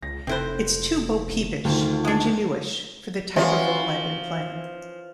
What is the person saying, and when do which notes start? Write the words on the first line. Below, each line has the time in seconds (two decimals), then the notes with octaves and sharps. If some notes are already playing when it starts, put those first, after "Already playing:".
It's too bo-peepish, ingenueish, for the type of role I've been playing.
0.03 C#2 A#6
0.27 F1 C3 C4 E4 A4 C5 F#6
1.65 D2 D#3 F4
2.05 G#3 D4
3.36 E3 F3 C#4 F#4